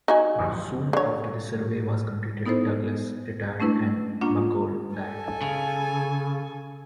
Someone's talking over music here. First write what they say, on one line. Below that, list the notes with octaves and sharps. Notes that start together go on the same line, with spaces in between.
Soon after the survey was completed Douglas retired and McColl died.
D#4 F#4 G#5
D3 C#5
B3 D#4 E4 A4 C5
A3 C#4 D4 E4 B4
A#3 C#4 D4 F4 F#5
A4 G#5
C#3